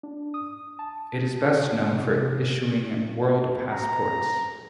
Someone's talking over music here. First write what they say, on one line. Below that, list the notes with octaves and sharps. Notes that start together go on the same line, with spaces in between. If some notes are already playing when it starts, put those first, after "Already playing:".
It is best known for issuing World Passports.
D4
D#6
A5
C3
A#5